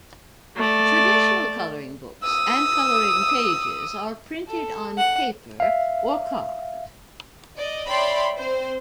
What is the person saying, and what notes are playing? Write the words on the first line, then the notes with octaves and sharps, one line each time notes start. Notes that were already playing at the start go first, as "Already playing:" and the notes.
Traditional coloring books and coloring pages are printed on paper or card.
A3 D5
D#6 E6
A4
F#5
E5 F5
D5 D#5
C#5 D5 E5 G5 B5 C6
C4 C5